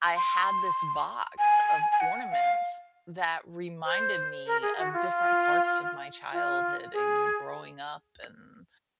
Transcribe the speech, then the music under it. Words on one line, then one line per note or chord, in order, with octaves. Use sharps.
I had this box of ornaments that reminded me of different parts of my childhood and growing up and
C6
G#5
G#5
F#5
F5
C5
A#4
G#4
F#4
F4
F4
G#4